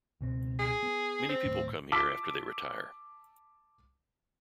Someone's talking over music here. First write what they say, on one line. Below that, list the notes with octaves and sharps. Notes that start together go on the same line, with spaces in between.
Many people come here after they retire.
C#2 B2 C4
G#4
B3
C4
D#2 A2
A5 D6 E6 B6